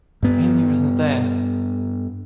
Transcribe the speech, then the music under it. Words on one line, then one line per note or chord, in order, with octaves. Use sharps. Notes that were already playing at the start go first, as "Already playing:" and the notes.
Hindley was not there.
G2 B3